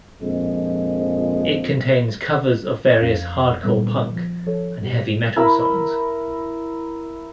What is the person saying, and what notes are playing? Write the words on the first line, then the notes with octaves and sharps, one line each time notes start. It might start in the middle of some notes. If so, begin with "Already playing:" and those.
It contains covers of various hardcore punk and heavy metal songs.
A#1 F2 F3 G#3
F2 C#4 F5 C7
A#2 D3 G3 B3 E5
F3
F3 A4 C#5
B2 G4
E4 A#4 B5 E6